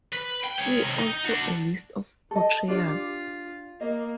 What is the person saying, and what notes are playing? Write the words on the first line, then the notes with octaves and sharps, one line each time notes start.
See also a list of portrayals.
B4
G5
G#3 C#5
C3 D#3
D#4
D4 F#4
A4 D#5
D4 F4 G4 D5
A#3 D#5